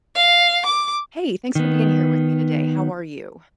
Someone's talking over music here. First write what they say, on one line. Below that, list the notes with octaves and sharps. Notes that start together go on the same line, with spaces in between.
Hey. Thanks for being here with me today. How are you?
F5
D6
D#3 B3